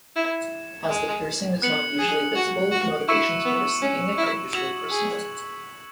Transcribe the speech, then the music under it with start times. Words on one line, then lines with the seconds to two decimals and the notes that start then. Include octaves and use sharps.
As the piercing is not usually visible, motivations for receiving it are usually personal.
0.16 E4 G#6 C#7 E7
0.89 G#3
1.62 B3 F#6 C#7 F#7
1.98 G#4
2.35 F#4
2.71 F#4
3.08 E4 C#6 E6 C#7 E7
3.45 B3
3.81 C#4
4.17 E4
4.54 F#4 E6 G#6 B6 F#7
4.90 G#4